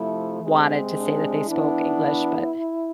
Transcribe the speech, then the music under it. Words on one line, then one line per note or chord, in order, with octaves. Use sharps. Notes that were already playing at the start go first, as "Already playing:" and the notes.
wanted to say that they spoke English, but
Already playing: C3 F3 A3 E4
C3 G#3 C4
D4
E3 B3 D4 E4